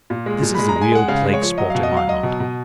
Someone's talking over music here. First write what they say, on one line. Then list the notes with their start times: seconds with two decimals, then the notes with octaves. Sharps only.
This is the real plague-spot in my heart.
0.10 A#2
0.26 G#3
0.42 A#2
0.55 G#3 B5
0.69 A#5
0.76 G#3
0.82 G#5
0.92 G#3 F#5
1.08 C#3 F5
1.26 G#3
1.33 C#5
1.42 F3
1.58 F#3 D#5
1.70 B2 F5
1.83 D#5
1.91 F#3
1.97 F5
2.07 F#3 D#5
2.23 B2
2.40 B2